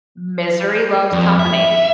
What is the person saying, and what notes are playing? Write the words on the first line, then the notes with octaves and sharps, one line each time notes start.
Misery loves company.
F2
E5